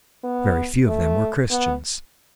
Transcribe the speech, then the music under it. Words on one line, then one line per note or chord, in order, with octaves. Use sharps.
Very few of them were Christians.
B3
A3
B3